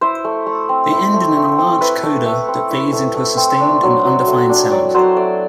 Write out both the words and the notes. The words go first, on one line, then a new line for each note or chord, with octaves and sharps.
They end in an enlarged coda that fades into a sustained and undefined sound.
E4 C5
A3
A3
C4
E4
A3
A3
C4
E4 B4
A3
A3
C4
E4
A3
A3
C4
D4
F#3
F#3
A3
D4
F#3 D5
F#3 C5
A3 D5